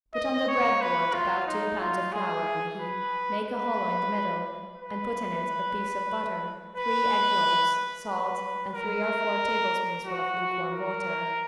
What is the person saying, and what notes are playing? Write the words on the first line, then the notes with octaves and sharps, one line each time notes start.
Put on the bread board about two pounds of flour in a heap; make a hollow in the middle and put in it a piece of butter, three egg-yolks, salt and three or four tablespoonfuls of lukewarm water.
D#5
C#5
B4
F4
D#4
F4
G#4
B4
B4
B4
B4
B4
A#4
F#4
A#4